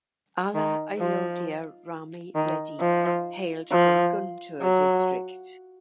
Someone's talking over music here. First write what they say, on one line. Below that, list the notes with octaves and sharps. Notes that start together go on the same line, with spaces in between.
Alla Ayodhya Rami Reddy hailed from Guntur district.
D#3
F3
D#3
F3
F3
F#3